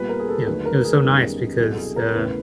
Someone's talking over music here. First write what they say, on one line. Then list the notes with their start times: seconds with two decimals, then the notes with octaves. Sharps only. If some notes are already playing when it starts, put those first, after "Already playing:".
you know, it was so nice because, uh,
Already playing: A#2 G3 B3 B4
0.09 A#4
0.19 G#4
0.28 A4
0.47 D#2 D3 F#3 A3 D4 B4
0.66 A#4
0.84 G#4
1.03 F#2 D#3 G3 B3 D#4
1.59 C2 B2 F#3 G#4
1.70 A4
1.78 G#4
1.96 A#4
2.15 E2 C#3 E3 A3 B4